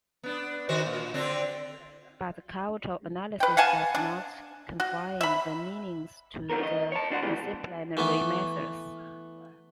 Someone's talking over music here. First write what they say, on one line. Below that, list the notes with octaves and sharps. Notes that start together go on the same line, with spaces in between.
But cultural analysis does not confine the meanings to the disciplinary methods.
B3 D4
D#3 F#4 C5
A#2
D3 C4 D4
B4 G5
F5 F#5 G#5 A5
D4
F#4
E5 B5
F2 D3 D#3 B3 A#4
D#5
C#5 A5
D#2 D4 F#4 B4 F#5
C2 E3 G#3 B3 G4
E3 A3 B3